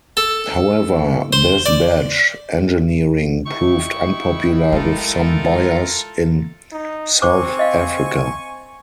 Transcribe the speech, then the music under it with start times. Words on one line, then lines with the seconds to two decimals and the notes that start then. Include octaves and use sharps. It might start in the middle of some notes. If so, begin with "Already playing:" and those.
However, this badge engineering proved unpopular with some buyers in South Africa.
0.17 A4
1.33 C5
1.66 D5
3.46 G3 D#4 E4 C#6
4.72 G#3 F4 A4 A#4
6.72 D#4
7.22 C4 C5 G#5 C#6 D6
7.59 D#5 F5